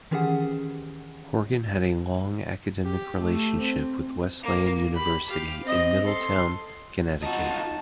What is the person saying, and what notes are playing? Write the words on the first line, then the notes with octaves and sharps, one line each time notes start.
Horgan had a long academic relationship with Wesleyan University in Middletown, Connecticut.
D#3 E3 C#4 G4 G#4 F#5
G4
A3
C4
A#3
G4 B5
G4 F5
C4 D#5
A4 C6
D#4 F4 F#4 A5